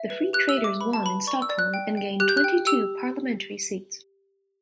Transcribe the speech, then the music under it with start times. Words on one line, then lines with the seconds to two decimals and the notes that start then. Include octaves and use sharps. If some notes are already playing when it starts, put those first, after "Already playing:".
The Free Traders won in Stockholm and gained twenty-two parliamentary seats.
Already playing: E5
0.10 B4
0.33 G4 F#6
0.49 E6
0.57 E5
0.64 D6
0.81 B4 B5
0.93 A5
1.03 B4 B5
1.27 D5 C#6
1.42 E6
1.50 D5
1.59 F#6
1.74 G5
1.97 G5
2.20 G4 F#6
2.29 G6
2.37 F#6
2.44 G5
2.67 G4 E6